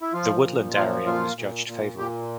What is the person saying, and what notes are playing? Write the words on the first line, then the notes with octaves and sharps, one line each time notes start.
The woodland area was judged favourable.
E4
F3 F4
A#2
F3 F4
A#2 F4
A#2
A#2
A#2 G4